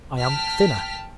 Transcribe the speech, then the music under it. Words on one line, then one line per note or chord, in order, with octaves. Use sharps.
I am thinner.
G5 A5 F6 B6